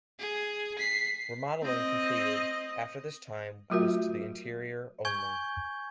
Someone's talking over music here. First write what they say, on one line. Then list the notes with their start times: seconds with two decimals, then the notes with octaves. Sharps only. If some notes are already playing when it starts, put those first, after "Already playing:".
Remodeling completed after this time was to the interior only.
0.19 G#4
0.79 B6 C7
1.63 C4 D#5
3.70 F#3 A3 F4 F#4 A#4 E5
5.05 G#5 C#6 G6 G#6